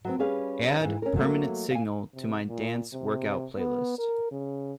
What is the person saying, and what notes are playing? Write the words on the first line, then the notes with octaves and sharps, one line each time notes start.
Add Permanent Signal to my dance workout playlist.
F#3 B3 C4
G3 C#4 G#4 B4 F5
G#2 E3
C#4 A#4
F#3 A3 A#3
F5 G#5
C3
A#2
C3
B3
A#4
C#3